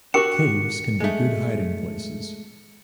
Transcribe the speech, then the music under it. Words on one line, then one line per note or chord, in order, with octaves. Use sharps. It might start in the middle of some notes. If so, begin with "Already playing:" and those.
Caves can be good hiding places.
D4 F#4 G4 A#4 G5 C#7
G#3 A3